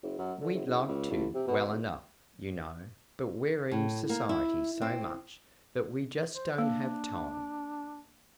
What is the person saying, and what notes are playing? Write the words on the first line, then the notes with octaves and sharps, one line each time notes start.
"We'd like to well enough, you know, but we're in society so much that we just don't have time."
F#1
F#2
D3
F#1
F#1
C#2
A1
C3
B2
G#1
A2
A#3
E4
C4
C5
A#3 D4